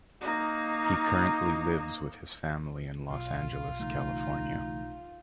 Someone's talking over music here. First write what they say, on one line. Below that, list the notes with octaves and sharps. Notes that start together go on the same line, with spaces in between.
He currently lives with his family in Los Angeles, California.
A#3 D#4
B1 F4 F5
C#3 E3 A3 D#4